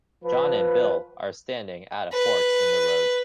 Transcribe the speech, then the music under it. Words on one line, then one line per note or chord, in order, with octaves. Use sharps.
John and Bill are standing at a fork in the road.
F3 B4
B4